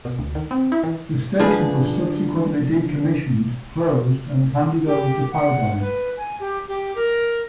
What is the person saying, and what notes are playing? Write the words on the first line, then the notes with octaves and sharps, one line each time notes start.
The station was subsequently decommissioned, closed and handed over to Paradigm.
B2
D2
D#3
C4
E4
E3
D3 F3 G#4 B4
G4
F#5
B4
G#5
G4
G4
A#4